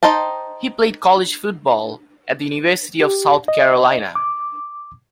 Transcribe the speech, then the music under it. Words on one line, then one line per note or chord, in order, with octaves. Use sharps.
He played college football at the University of South Carolina.
D#4 C5 D#5 G5 A5
G4
D#5
D6